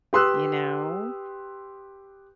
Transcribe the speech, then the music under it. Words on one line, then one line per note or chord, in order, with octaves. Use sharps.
You know?
G4 B4 C6 D#6 E6 F#6